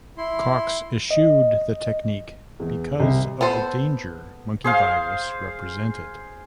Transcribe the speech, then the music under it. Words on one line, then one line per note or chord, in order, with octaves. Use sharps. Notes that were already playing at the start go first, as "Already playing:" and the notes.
Cox eschewed the technique because of the danger monkey virus represented.
E4 C6
D#5
E2
C2
B3 A4 C5
G#4 C5 F5